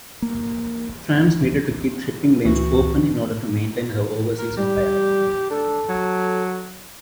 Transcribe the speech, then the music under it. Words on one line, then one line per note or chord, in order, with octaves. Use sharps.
France needed to keep shipping lanes open in order to maintain her overseas empire.
A#3
C#2 E3 F#4
A#4
G3 G4
D4 A4
F#3